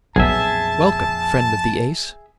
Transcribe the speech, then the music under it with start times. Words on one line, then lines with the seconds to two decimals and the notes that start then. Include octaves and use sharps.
"Welcome, Friend of the Ace."
0.16 B1 F2 A#2 G#4 E5 A5